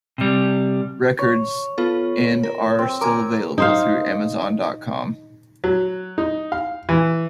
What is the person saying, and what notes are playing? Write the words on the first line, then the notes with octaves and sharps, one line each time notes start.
Records, and are still available through Amazon dot com.
C3 G3
C#5
B3 F4 A4
A#4
C4
A#4 G#5 D6
D#4 C5 F5
F#3
D#4
F5
E3